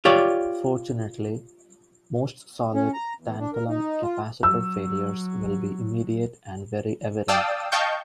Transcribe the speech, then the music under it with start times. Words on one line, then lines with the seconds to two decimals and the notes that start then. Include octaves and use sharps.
Fortunately, most solid tantalum capacitor failures will be immediate and very evident.
0.05 F4 G4 C#5 D5
2.74 C#4
2.94 A#5
3.20 E2
3.40 D4
3.53 A#4
3.69 D#4
4.02 F4
4.43 F#3 E6
7.28 D5 F5 G5 A5 D#6 E6
7.72 D#5 F5 G5 A5 C#6 G6